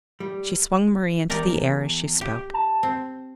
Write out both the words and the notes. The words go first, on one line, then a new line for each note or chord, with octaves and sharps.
She swung Marie into the air as she spoke.
G3
E2 G4 A#4 D5
G4
A5
C4